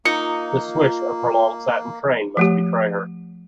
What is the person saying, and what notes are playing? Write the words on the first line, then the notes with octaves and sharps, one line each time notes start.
The swish of her long satin train must betray her.
A#3 D#4 F4 C#7
F3 A3 G4